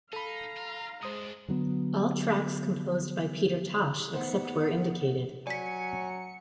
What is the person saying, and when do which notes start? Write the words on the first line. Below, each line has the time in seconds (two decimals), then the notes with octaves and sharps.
All tracks composed by Peter Tosh except where indicated.
0.13 D#4 A4 F5 A#5 B5
0.57 F4
1.03 F#2 G#3 D4 C5 D#6
1.48 D3 F#3 B3
4.13 A3 B3 D#4 C5 F#5
5.47 F#3 D5 G#5 B6 C#7